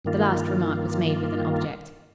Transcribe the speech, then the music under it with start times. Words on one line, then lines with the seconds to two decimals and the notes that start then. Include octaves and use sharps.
The last remark was made with an object.
0.05 G2 D#3 A#3 F4